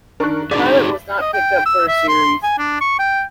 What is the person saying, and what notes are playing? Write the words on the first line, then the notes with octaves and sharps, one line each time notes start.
The pilot was not picked up for a series.
D#3 D4 A#4 C#6 F#6
D4 D#4 F#4 G#4 D5 A6 B6
D#5
G5
E6
E5
C6
G#5
D4
C#6
G5